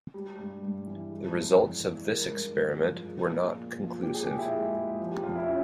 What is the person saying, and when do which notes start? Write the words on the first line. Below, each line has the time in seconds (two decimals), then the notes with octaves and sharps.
The results of this experiment were not conclusive.
0.14 G3
0.38 G2
0.63 G2
0.87 E3
1.11 G#3
1.35 F2
1.60 F2
1.84 E3
2.08 G#3 A#4
2.33 G2
2.56 G2
2.81 F3
3.05 G#3
3.29 A#2
3.54 A#2
3.78 F3
4.02 A#2 G4
4.14 G#4
4.26 A#2 G4
4.38 E4
4.51 G#3
4.76 G#3
5.00 F3
5.11 G4
5.23 F2 F4
5.36 E4
5.48 C#4